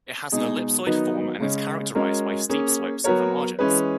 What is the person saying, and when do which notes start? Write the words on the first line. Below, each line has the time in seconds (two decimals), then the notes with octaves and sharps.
It has an ellipsoid form and is characterized by steep slopes at the margins.
0.32 B2 G#3 D#4 G#4
0.86 D#3 F#3 B3 D#4
1.40 C#3 G#3 C#4
1.95 G#3 C#4 F#4 A#4
2.49 A#3 C#4 G#4
3.04 F#3 B3 F#4 A#4 C#5
3.59 E3 G#3 C#4 G#4 B4